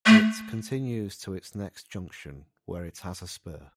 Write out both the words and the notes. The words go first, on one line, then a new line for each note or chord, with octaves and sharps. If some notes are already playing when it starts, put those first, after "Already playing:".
It continues to its next junction, where it has a spur.
A3